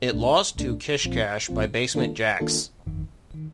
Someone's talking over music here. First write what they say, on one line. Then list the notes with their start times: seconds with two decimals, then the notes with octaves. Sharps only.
It lost to "Kish Kash" by Basement Jaxx.
0.12 C2 A#2 A3 D4
0.57 C2 A#2 A3 D4
1.04 A#1 A#2 F3 C4 F4
1.48 A#1 A#2 F3 C4 F4
1.94 D#3 A#3 D4 F4 A4
2.40 D#3 A#3 D4 F4 A4
2.86 G1 F2 D#3
3.34 D#3